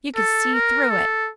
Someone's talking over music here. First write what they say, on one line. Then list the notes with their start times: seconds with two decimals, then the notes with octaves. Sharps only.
"You could see through it."
0.16 A4
0.53 A#4
0.90 A4